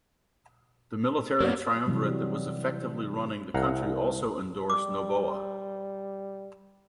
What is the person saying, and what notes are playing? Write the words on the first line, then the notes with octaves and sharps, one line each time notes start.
The military triumvirate that was effectively running the country also endorsed Noboa.
F#2 A#3 B3 C#5 D5
C3 E3 F#3 G3
C2 F5 F#5 A#5
G3 D6